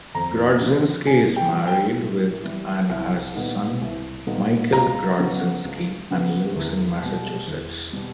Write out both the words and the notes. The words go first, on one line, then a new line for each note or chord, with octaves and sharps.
Grodzinsky is married with and has a son Michael Grodzinsky and lives in Massachusetts.
F2 A#5
C#3 F3
A2 G#5
G5
E3 G3
G5
A2
E3 G3
C2
A#2 G3 B3 D#4
C2
A#2 G3 B3 D#4
C#2 A#5
C#3 F#3 B3
C#2
C#3 F#3 B3
E2
B2 G3
E2
B2 G3